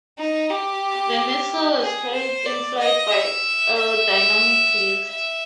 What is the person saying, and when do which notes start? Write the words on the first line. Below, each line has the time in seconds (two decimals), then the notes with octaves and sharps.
The missile is carried in flight by aerodynamic lift.
0.18 D#4
0.50 G4
1.81 G#4
2.13 C5
2.46 D5
2.79 D#5
3.11 E5
3.76 E5
5.06 E5